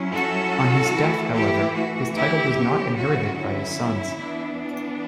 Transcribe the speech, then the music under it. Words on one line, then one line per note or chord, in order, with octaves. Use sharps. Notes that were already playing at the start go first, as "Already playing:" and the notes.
On his death, however, his title was not inherited by his sons.
Already playing: F#3 C#4 E4
F#4 A4
E3 A3 E4
E4 G4
F#4
E4 G4
D3 F#3 C#4 E4
F#4
E4
E3 B3 D4